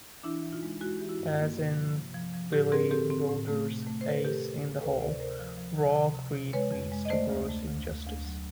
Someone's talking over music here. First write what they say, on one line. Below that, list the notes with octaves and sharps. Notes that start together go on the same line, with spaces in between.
As in Billy Wilder's "Ace in the Hole", raw greed leads to gross injustice.
E3 D4 E4
E3
D#4 F4
G#3
G#3 E4 F#4
E3 G4
E4 F#4
G2
A#3
C3
F3
C3
F3
F3
A2 G4 A4
C4 G#4 A#4
C4 G4 A4
C4
A2
A3
C3
A3
C5
D#3 B4
A#4
C3 G4 A4
C3
C3
D2 A4 B4
C3 C5 D5
C3 A#4 C5
F3
F3
C3
C3
C3
C3
G#3 B4 C#5
F2
G#3
D#5
A3 C5 D5
D2
A3
D2
D2
D2
F#3